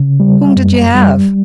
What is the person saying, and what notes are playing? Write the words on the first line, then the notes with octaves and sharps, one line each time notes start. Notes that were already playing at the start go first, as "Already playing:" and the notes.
Whom did you have?
Already playing: C#3
G3
F#2
G3